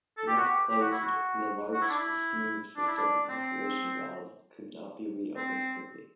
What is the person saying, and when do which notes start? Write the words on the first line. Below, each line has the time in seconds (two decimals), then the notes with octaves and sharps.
Once closed, the large steam system isolation valves could not be reopened quickly.
0.17 A4
0.27 G4
0.37 F#4
0.47 G4
0.70 G4
0.80 F#4
0.91 E4
1.02 F#4
1.73 F#4
1.81 E4
1.89 D4
1.97 E4
2.77 D4
2.87 E4
2.97 D4
3.29 C4
5.36 C4